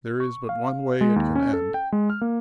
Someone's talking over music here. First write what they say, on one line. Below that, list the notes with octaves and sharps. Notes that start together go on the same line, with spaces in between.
There is but one way it can end.
C#6
F5
G#3
D#2
C#4
A4
G5
G#3
F6
A#3